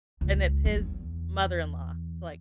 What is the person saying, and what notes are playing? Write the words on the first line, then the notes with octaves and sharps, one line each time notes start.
and it's his mother-in-law, so, like
C#2
E2